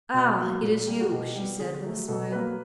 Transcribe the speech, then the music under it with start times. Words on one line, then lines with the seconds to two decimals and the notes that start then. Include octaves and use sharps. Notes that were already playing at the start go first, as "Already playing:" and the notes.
"Ah! it is you," she said, with a smile.
0.14 B2
0.39 F#3 A#3
0.62 A#2
0.87 G3 A#3
1.01 F#4
1.11 B2 G4
1.35 G3 B3
1.59 D3 G#4
1.84 F#3 A3
2.08 B2 A4
2.32 F#3 A#3 B4